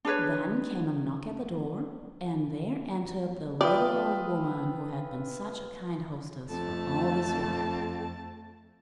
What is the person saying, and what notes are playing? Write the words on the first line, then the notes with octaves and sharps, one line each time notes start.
Then came a knock at the door, and there entered the little old woman, who had been such a kind hostess for all this while.
D4 G#4 B4 C#5
F4 B4 D5 E5 G5 D#6
F2 A3 A5